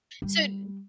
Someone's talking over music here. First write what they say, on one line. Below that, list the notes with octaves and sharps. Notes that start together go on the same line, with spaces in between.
So, d
G3